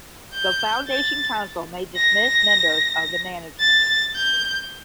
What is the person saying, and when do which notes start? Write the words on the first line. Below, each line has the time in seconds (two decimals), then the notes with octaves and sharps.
The Foundation Council may dismiss members of the management.
0.34 G6
0.88 A6
1.96 A#6
3.60 A6
4.15 G6